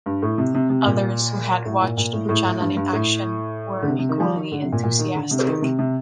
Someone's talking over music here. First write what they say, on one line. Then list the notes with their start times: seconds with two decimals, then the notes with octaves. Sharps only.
Others who had watched Buchanan in action were equally enthusiastic.
0.06 G2
0.22 A2
0.38 C3
0.55 C3
0.70 C3
0.86 A#2
1.65 A2
1.81 A#2
1.97 A#2
2.13 A2
2.29 A2
2.44 A2
2.60 G2
2.77 G2
2.93 A2
3.83 D3
3.88 C3
3.99 C3
4.09 D#3
4.20 F3
4.36 D#3
4.52 D3
4.62 C3
4.72 A#2
4.83 A#2
4.99 D#3
5.15 D3
5.31 C3
5.47 D#3
5.62 C3
5.79 C3